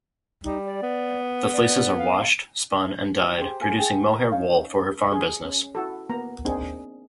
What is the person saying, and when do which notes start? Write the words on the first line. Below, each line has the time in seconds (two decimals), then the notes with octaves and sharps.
The fleeces are washed, spun and dyed, producing mohair wool for her farm business.
0.44 G3 D#4
0.66 D5
0.83 B3
1.53 D5
1.98 F5
3.23 E4 B4
3.38 G4 G#4 C5
3.60 F4 A#4 G#5
3.78 F4 G#4 G5 G#5
4.13 A#4
4.32 C#4 D#4 F5
5.12 G#4
5.45 C#4
5.75 E4 F#4 A4
6.09 A#3 B3 A#5
6.45 A#3 C4 D4 D#4 G#4